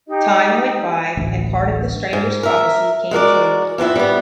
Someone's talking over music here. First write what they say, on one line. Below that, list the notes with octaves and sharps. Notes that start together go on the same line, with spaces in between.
Time went by and part of the stranger's prophecy came true.
D#4 G4 D#5
D1 A1 D2
G#2
A#4 E5
G#3 F#4 A#4 D5
F2 B3 C4 E4
G3 B3